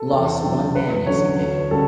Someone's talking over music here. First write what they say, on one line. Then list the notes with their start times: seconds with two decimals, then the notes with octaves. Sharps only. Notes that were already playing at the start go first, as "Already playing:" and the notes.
Lost one man yesterday.
Already playing: A4
0.11 E2 A4
0.43 D3 F#3
0.75 E2 B4
1.07 D3 F#3 C#4 C#5
1.39 D2 B4
1.71 C#3 G3 A4